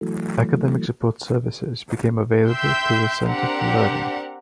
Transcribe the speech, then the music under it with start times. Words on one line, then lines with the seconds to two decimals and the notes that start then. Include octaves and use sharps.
Academic support services became available through the Center for Learning.
0.01 E3 F#3 A3
2.50 E5 G5 C6 E6 G6
3.23 C4 D4 G4 A#4 F#5